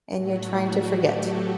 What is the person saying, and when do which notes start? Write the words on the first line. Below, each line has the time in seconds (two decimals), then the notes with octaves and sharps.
and you're trying to forget,
0.15 A2 F#3 A3 F#4
0.76 G4
1.08 A4